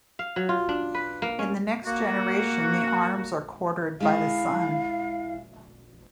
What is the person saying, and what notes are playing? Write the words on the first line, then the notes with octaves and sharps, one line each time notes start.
In the next generation the arms are quartered by the son.
F5
F#3
F4
D4
B4
A#3
C#4
A#3 F#4
G#3 E4 F5